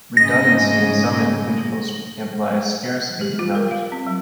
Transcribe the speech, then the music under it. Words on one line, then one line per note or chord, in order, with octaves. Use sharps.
Redundancy in some individuals implies scarcity in others.
G#2 C#3 D#5 A#6
G4
F4
A#4
F5
C4
F#3